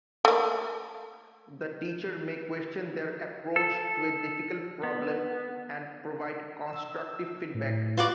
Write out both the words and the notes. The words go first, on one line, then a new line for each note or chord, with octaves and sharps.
The teacher may question their approach to a difficult problem and provide constructive feedback.
A3 A#3
A4
B3
E6
A2
F4 F#4 B4 D5